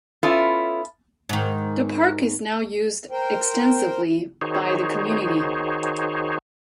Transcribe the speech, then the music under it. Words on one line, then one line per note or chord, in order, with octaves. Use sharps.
The park is now used extensively by the community.
B3 C#4 E4 F4 A4
G#2 D#3
A#4 C5 G5
D#3 D#4 F#4 G#4 C5 C#5